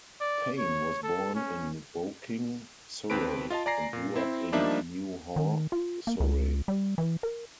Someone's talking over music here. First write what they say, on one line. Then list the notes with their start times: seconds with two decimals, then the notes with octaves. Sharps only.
Payne was born in Woking, Surrey, and grew up in New Haw, Surrey.
0.21 D5
0.58 C#5
1.04 A4
1.35 C#4
3.10 D#2 C4 B4 B5 D7
3.50 F4 D#5 F5 A5
3.66 D5 G#5 A#5 A#6 C7
3.93 A#2
4.16 C4 E4
4.52 F3 G3 A#3 D4 D#4 E5
5.36 D#3
5.72 F4
6.07 A#3
6.20 C#2
6.68 G3
6.98 E3
7.23 A#4